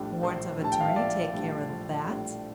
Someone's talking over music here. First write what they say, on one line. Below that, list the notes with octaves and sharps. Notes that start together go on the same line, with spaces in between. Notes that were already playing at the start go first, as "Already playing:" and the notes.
Warrant of attorney--take care of that.
Already playing: A#1 A2 G3 D4
A#1 C5
A2 G3 D4 A5
G5
F5
E5
A#1 D5
A2 G3 D4
A#1
A2 G3 D4